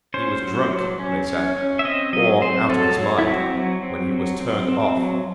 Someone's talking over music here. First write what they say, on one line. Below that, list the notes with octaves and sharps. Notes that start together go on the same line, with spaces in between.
He was drunk, they said, or out of his mind, when he was turned off.
C#4 C5
F#3
F#3
C#4
C#4
C#4
E5
C4 D#5
F#3 D#5
C4 C5
F#3 A4
F#3
E4
C4 F#4
F#3
C4
F#3
C4
C4
F#3